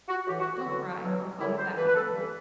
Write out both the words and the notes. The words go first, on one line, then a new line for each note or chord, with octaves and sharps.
"Don't cry, I'll call you back again."
F#4
A2 E3 G4
F#4
F#4
E2 D3 F#3
E2 B2 F#3
F#2 D3 F#3 E4
C5
G2 E3 B4
B4
A4
G2 E3 B4